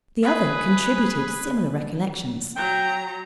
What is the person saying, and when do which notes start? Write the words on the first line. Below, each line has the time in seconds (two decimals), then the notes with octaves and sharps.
The other contributed similar recollections.
0.23 G#4 B4
2.56 F#3 G5 A#5